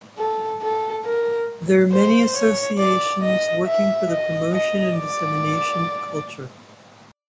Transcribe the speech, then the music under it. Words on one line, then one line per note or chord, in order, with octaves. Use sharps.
There are many associations working for the promotion and dissemination of culture.
A4
A4
A#4
C5
C#5
D5
D#5
E5
D#5
D#5
D5